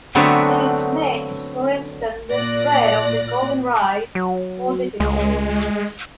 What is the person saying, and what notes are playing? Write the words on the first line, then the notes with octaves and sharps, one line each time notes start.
It makes, for instance, the spread of golden rice more difficult.
D3 F#3 A3 B3 C4 D4
A#2 D5 F#6 A#6
F#3
C#2 G#3